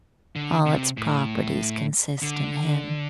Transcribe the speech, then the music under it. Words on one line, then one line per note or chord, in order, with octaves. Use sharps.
All its properties consist in him.
D3
C3
A2
D3